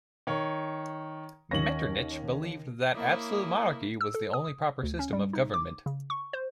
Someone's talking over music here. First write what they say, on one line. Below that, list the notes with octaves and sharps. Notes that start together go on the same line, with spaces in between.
Metternich believed that absolute monarchy was the only proper system of government.
D#3 C#5
D#2 C#4 A#6 F#7
A#3 E4 C#5 D6 D#6
E6
A4
D#6
D2
C#4
G3
D#4
D6
C#3
C#6
C5